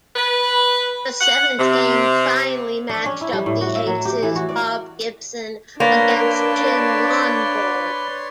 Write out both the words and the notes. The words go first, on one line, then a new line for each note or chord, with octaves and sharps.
The seventh game finally matched up the aces, Bob Gibson against Jim Lonborg.
B4
F#5
C3
D4
C#4
E4
G3
A2
F#4
E5
F#3
G4
E3
F#4
D5
A#3 D4 B4 C#5 D5 C6